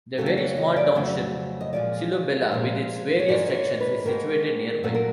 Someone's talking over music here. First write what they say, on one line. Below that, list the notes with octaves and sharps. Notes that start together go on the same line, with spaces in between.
The very small township Silobela, with its various sections, is situated nearby.
F2 C#3 F#3 A3 A4
D5
C#5
D#5
D5
F2 C#3 F#3 A3 D5
D#5
A#2 F3 G#3 D5
A#2 F3 G#3
C#5
G#2 D#3 G#3 D5
D5
C#5
B4
G#2 D#3 G#3 A#4
A#2 F#3 A3 A4
A#4